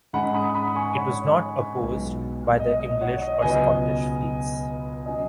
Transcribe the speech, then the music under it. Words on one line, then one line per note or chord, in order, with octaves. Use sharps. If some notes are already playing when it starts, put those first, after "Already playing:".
It was not opposed by the English or Scottish fleets.
G#2 G#3 C#4 F#5 B5
B5 D#6
B5 D#6
G#5 C#6
C#5 F#5
B1 B2 G#3 B3
D#5
D#5
C#5 F#5
D#5
C#2 B2 F#3 B3 D#5 G#5
F#3 C#4 D#5 G#5